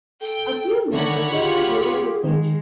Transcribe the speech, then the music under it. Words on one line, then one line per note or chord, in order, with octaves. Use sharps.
A few men deserted during the siege.
A4 G5
D3 D#3 C#5 F#5 B5
F4 G4 G#4
D#3 G#3